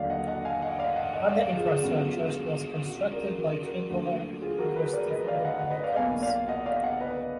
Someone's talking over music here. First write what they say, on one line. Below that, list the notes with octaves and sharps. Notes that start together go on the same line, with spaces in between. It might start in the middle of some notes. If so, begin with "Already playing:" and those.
Other infrastructures was constructed by Tribhuvan University funded by the campus.
Already playing: D#2 D3 F#3 D5 F5
D#5 F#5
D#5 F#5
F5 G#5
D#5 F#5
D5 F5
D#5 F#5
D#5 F#5
D5 F5
F4 G#4
F#2 D3 G#3 B3 D4 F#4
F4
F#4
A#4 D5
F#4 A#4
F#4 A#4
D2 D3 F#3 A#3 F#4
F#4
F4 G#4
F#4 A#4
G#4 B4
A#4 D5
B4 D#5
D5 F5
D#5 F#5
D#5 F#5
B4 D#5
D5 F5
B1 B2 A#3 F5 G#5
D5 F5
D#5 F#5
D5 F5
D#5 F#5
B4 D#5